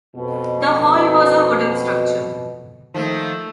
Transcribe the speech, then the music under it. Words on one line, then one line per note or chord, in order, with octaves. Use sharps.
The hall was a wooden structure.
F2 B2
D#3 F3 A3